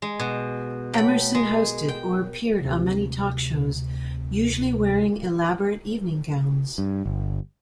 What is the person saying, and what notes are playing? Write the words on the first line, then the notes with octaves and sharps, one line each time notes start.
Emerson hosted or appeared on many talk shows, usually wearing elaborate evening gowns.
G#3
B2
A3 C#5 F#5 G5 B5
G#3 A#4
G5
D2 C3
G2
G1